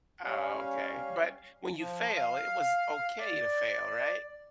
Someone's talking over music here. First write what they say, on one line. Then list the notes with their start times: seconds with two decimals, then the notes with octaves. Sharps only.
Oh, okay, but when you fail, it was okay to fail, right?
0.24 G3 C#4 F5
1.78 F3
2.17 F5
3.19 D5